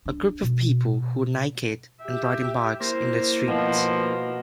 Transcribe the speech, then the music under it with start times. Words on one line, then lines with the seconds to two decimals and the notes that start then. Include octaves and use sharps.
A group of people who are naked and riding bikes in the streets.
0.06 D4
0.43 B2
2.02 G4 E5
2.81 A#3 E4 C5
3.48 B2 F3